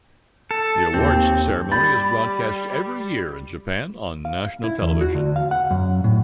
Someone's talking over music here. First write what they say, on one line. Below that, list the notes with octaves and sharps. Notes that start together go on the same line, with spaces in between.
The awards ceremony is broadcast every year in Japan on national television.
A4
D#2 C4
G3 B5 G6 A6
F5
E4
E2
F#4
D2
F5
F#5
F#2
A2